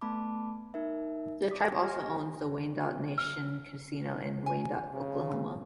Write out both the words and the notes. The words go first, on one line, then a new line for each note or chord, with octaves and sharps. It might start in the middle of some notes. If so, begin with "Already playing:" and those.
The tribe also owns the Wyandotte Nation Casino in Wyandotte, Oklahoma.
A3 B3 A5 B5 D6
D#4 A#4 E5
D6 D#6 B6
G4 D#5 G#5 F6 A#6
F6
G#5
C#3